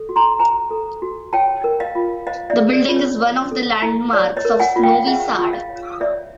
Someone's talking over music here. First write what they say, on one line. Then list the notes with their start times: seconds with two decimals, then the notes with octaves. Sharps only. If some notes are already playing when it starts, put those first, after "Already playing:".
The building is one of the landmarks of Novi Sad.
Already playing: A4
0.09 F#4
0.16 A#5 C6
0.39 C5 G#5 A#5
0.71 A4
1.02 F#4
1.33 C#5 G5 A5
1.64 A#4
1.80 D#5 F5
1.95 F4
2.27 C5 D#5 F5
2.50 D5 E5
2.57 G#4
2.73 D5
2.88 F4
2.96 C#5
3.20 C5
3.51 A4
3.82 E4
4.13 C#5 D5
4.37 C#5 D#5
4.45 A#4
4.60 F#5 G#5
4.76 F4
4.83 F5 G5
5.07 G#4 E5 F#5
5.38 F4
5.53 D#5 F5
5.69 C#5
6.00 C#5 D5 E5